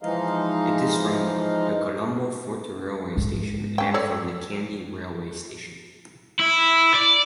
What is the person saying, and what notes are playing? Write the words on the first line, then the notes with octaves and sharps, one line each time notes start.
It is from the Colombo Fort Railway Station and from the Kandy Railway Station.
E3 F3 G#3 D#4 D#5 F5
G#2
C#4 G5
A4 C#5 D5
E4
D5